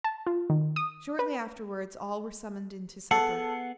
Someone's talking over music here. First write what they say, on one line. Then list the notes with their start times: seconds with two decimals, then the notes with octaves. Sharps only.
Shortly afterwards all were summoned in to supper.
0.04 A5
0.27 F4
0.50 D#3
0.76 D#6
1.19 B4
3.11 B3 G#4 A4 F#5